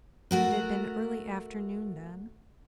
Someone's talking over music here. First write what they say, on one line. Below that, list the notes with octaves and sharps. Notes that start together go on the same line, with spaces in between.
It had been early afternoon then.
A3 F#4 A#4